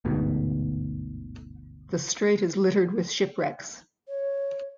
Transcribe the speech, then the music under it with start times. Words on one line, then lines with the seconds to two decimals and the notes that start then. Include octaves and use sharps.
The strait is littered with shipwrecks.
0.05 G1 D2 G#2 B2
4.08 C#5